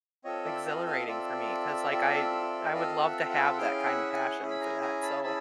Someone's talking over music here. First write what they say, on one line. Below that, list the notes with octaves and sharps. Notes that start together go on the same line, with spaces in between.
Exhilarating for me 'cause like I I would love to have that kinda passion for that so
C4 F4 A4 C#5 D#5
D5 E5
D#5 F5
D#5 F5
C4 F4 A4 D5 E5
C4 F4 A4
C4 F4 A4 D#5 F5
E5 F#5
E5 F#5
F#5
C#4 E4 G#4 F5 G5
E5 F#5
F#5 G#5
C#4 E4 G#4
B5
G#5 A#5
G#5 A#5
A5 B5
C#4 E4 G#4 A5 B5